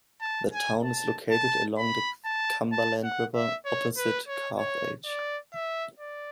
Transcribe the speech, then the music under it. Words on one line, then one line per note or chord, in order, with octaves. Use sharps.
The town is located along the Cumberland River opposite Carthage.
A5
G#5
A5
A5
B5
A5
A5
F#5
E5
C#5
B4
C#5
C#5
D5
E5
D5